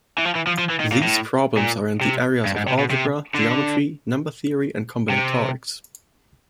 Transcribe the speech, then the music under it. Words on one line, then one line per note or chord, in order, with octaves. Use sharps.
These problems are in the areas of algebra, geometry, number theory and combinatorics.
E3
F3
E3
F3
F3
E3
D#3
A#2
A2
A#2
C3
G2
G#2
C3
B2
C3
D3
C3